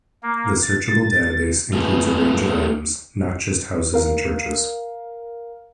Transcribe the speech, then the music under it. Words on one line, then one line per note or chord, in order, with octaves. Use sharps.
The searchable database includes a range of items, not just houses and churches.
A#3
A6
A3 A#3 E4 G#4 A4 B4
A#4 F5